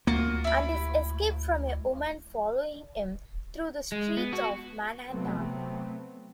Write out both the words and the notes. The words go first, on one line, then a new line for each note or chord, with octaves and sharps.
And his escape from a women following him through the streets of Manhattan.
D2 A#3 F4 F#4
E4 B5
G#3
B3
F#4
C3 F#3 A3 B3 C4